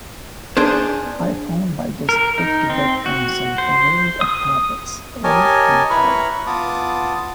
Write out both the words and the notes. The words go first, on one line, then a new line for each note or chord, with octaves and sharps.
I found my guest put to bed on some rolled-up carpets, all comfy.
D4 G#4 C5
A#4
D#4
C4
F#4
C5
D#6
G4 A#4 C#5 D#5 G#5 A5
E4 B4 A#5 B5 C#6 F6
B3 F4 A5 D6 D#6